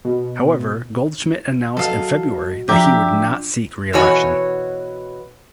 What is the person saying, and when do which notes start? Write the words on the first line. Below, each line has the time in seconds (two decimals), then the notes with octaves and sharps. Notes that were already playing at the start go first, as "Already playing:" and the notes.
However, Goldschmidt announced in February that he would not seek re-election.
0.05 B2
1.77 F#3 A4 D#5 F5
2.69 F3 D4 G4 E5 A#5
3.93 B2 E3 F#4 C#5 G#5